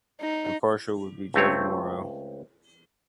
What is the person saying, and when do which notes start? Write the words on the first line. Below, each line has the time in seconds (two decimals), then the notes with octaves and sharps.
Impartial would be Judge Moro.
0.20 D#4
1.34 C#2 A3 C4 C#5